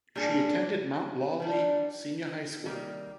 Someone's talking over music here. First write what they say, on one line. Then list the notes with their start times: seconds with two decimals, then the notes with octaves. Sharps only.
She attended Mount Lawley Senior High School.
0.15 A#2 G3 D4 G#4
1.40 D#3 G3 D4
2.65 C3 D#3 G3 A#3